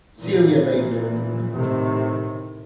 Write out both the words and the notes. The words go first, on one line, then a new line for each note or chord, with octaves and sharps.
Celia made no movement.
A#2 E3
A2 C3 D#3